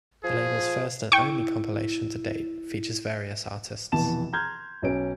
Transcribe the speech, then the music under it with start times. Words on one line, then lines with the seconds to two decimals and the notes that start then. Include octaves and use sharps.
The label's first and only compilation to date featured various artists.
0.24 F3 G#4
1.12 E4 G5 C#6
3.92 F1 B2 E3 A5 E7
4.33 A#5 C6 F6 G6 G#6
4.82 B1 C#4 D7